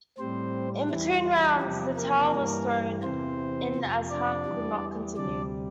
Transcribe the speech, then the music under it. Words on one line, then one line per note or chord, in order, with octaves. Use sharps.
In between rounds the towel was thrown in as Hunt could not continue.
A2 G3 C4 C5
E2 E3 G3 E4
E4
E2 C3 F3 G3 G4
A#3 A#4
G2 E3 G3
E2 C3 E3 C4 C5
F2 C3 F3
D4 D5
E2 E3 G3
D2 C3 G3 D4 D5